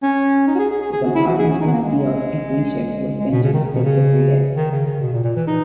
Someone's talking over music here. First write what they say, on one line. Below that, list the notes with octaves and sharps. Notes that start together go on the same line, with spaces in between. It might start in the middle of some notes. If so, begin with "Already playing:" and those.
The compartments were sealed and three ships were sent to assist the frigate.
C#4
D#4
F#4
G#4
G#4
G#4
G#4
F#4
E4
F#4
G#4
C#4
D#4
B3
A#3
G#3
G#3
B2
C#3
D#3
C#3
B2
C#3
D#3
C#3
C#3
B2
A#2
A#2
E3
D#4